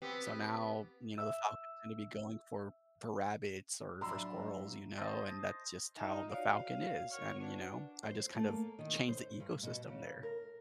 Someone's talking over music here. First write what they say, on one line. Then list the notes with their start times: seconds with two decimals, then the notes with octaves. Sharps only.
so ,now, you know, the falcon's gonna be going for for rabbits or for squirrels, you know, and that's just how the falcon is and, you know, I just kind of changed the ecosystem there.
0.02 B3 C4 G4
1.18 E5 E6
4.01 A2 F3 F#3 D4 E4 A#5 C6 E6
4.97 C5 D#5 E5 A5
5.97 D#4 F4 D#5 E5
6.30 F#4 C#5 D5 F5
7.11 A#4 C#5 F#5 F6
7.41 D4 B4 F#5
8.03 C5
8.35 A3
8.48 A#3
8.79 D#3
9.08 C5
9.40 G2
9.63 B2
9.88 C#3
10.23 A#4